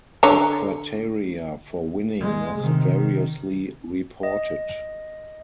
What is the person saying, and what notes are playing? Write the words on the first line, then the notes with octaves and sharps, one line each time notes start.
The criteria for winning was variously reported.
D3 C#5 A#5
G#3
C3 D#3
D#3
D#5